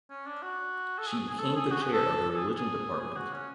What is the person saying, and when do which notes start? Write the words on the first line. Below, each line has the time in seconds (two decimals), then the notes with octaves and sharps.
She became the Chair of the Religion Department.
0.10 C#4
0.26 D4
0.43 F#4
0.98 A4
1.07 G#4
1.30 G#4
1.39 A4
1.55 G#4
1.71 F#4
1.82 G#4
1.93 A4
2.30 A4
2.36 G#4
2.57 G#4
3.00 G#4
3.16 F#4
3.33 C#4